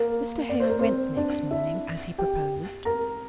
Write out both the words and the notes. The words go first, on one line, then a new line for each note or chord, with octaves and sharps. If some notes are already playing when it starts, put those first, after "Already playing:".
Mr. Hale went the next morning, as he proposed.
Already playing: A#3 A#4
D5
C5
A#4
C4 C5
D4 D5
E4 E5
G4 G5
A#4 A#5